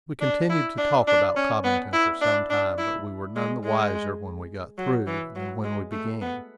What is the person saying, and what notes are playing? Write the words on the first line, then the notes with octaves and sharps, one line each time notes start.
We continued to talk about Cobbington for some time; but we were none the wiser when we got through than when we began.
D4
E4
D4
D4
C#4
B3
E4
D4
D4
E4
G#3
G#3
F#3
E3
F#3
G#3
A3
B3